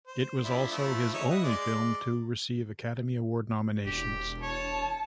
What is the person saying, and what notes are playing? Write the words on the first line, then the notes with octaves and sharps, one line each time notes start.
It was also his only film to receive Academy Award nominations.
C5
F3 D4 E4
F3 A3 E4
D#4 C#5 E5
E4 F#4 D#5
G#3 D5
E1 G4
C#5 A5